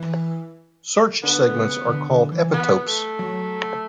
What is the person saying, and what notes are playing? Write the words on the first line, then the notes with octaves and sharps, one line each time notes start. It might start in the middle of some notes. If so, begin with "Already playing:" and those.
Such segments are called epitopes.
Already playing: E3
D3 B3
D3
C#3
D3
D3
E3
B3
A3
F#3